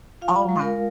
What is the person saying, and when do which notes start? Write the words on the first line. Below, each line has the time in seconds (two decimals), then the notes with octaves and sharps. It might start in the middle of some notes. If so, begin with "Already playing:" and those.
Oh my
0.22 F4 F5
0.49 G#3
0.62 A#4